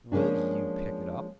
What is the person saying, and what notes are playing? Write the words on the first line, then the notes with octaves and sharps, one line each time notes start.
'Will you pick it up?'
F3 G#3 A#3 C#4 D4